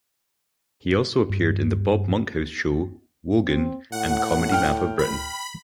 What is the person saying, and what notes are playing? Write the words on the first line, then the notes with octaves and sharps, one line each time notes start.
He also appeared in "The Bob Monkhouse Show", "Wogan" and "Comedy Map of Britain".
G2
C4
A2 F#5
G5 F6
B5